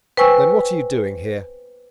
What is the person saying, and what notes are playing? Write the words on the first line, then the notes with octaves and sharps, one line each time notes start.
"Then what are you doing here?"
B4 C5 G5 G#5 C#6 E6